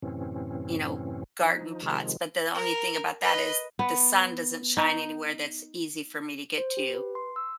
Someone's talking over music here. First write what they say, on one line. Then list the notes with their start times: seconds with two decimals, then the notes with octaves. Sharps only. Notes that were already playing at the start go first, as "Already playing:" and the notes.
you know, garden pots, but the only thing about that is the sun doesn't shine anywhere that's easy for me to get to.
0.02 F#2 A2 C3 E3 C4 C#4
1.41 F3 D#4
1.83 C3 D#3 F3 G#3
2.54 A#4
3.21 B4 D#5
3.79 B3
4.77 D#4
6.58 C5
6.77 G4
6.94 B4
7.15 C6
7.36 E6